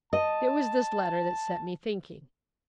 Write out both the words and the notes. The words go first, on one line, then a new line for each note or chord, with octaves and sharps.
It was this letter that set me thinking.
D#5 A5